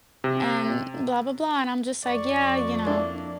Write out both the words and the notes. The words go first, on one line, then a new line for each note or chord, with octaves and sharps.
and blah, blah, blah." And I'm just, like, "Yeah, you know,
C3
F2 D5 C#6
A#3 D4 E4